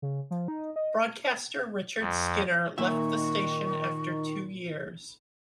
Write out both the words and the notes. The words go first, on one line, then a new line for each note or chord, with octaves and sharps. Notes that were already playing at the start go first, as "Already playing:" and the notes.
Broadcaster Richard Skinner left the station after two years.
C#3
F3
D#4
D#5
F2
A#2 D#3 E5 C#6